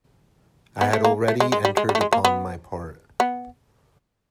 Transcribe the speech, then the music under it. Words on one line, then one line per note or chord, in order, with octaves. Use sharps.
I had already entered upon my part.
B3
A3
A#3
A3
G#3
G#3
G3
G#3
G3
A3
G#3
A#3
B3
B3